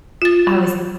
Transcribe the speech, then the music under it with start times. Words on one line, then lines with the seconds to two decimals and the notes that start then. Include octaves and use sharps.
I was
0.22 F4 A6